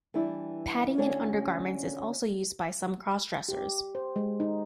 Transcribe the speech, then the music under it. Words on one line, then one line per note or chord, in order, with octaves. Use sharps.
Padding in undergarments is also used by some crossdressers.
E3 G3 D4 E4
D2 C#4 D4 C#5
G4
C5
G#3
D#4